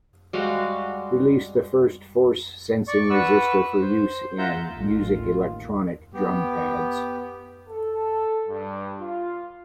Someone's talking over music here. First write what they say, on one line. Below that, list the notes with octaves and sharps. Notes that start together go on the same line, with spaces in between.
Released the first force-sensing resistor for use in music electronic drum pads.
G3 G#3 F#4 F5
D5 C#6
B4 F#5 C#6 E6
C5
F4 E5 F#5 A#5 G6
A1 F4
D#2
B3 G4
A4
G2
F4